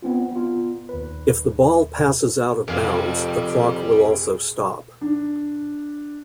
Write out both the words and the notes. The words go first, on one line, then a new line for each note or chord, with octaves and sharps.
If the ball passes out of bounds, the clock will also stop.
B3 C4 F4
B3 F4
D#2 B4
F1 F2 G3 G#4 F5
D4